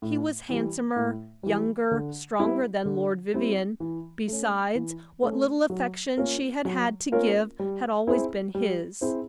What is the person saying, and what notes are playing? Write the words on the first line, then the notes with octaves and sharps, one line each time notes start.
He was handsomer, younger, stronger than Lord Vivianne; besides, what little affection she had had to give had always been his.
A2
E3 G3
A2
E3 G3
D3
G3 C4 E4
D3
G3 C4 E4
E3
A3 C#4
E3
A3 C#4
F#3
A#3 C#4 F4 A#4
F#3
A#3 C#4 F4 A#4
G3
C4 E4 G#4 C5
G3
C4 E4 G#4 C5